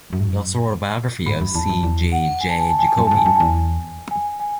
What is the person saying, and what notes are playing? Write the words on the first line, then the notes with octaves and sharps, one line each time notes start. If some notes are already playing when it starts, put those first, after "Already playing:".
He also wrote a biography of C. G. J. Jacobi.
F#2
G#2
F#2
G#2 B5
F#2
E2 A5
F#2
E2
F#5
G#5
A5
G#5
A5
G#5
A5
F#2 G#5
G#2 A5
G#5
F#2 A5
E2 G#5
G#5
G#5